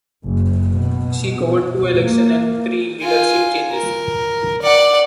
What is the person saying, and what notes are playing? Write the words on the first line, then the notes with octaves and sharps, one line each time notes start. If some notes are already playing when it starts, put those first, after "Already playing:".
She covered two election and three leadership changes.
F#1
B2
A#3
F4 G#5
A#4
D5 F#5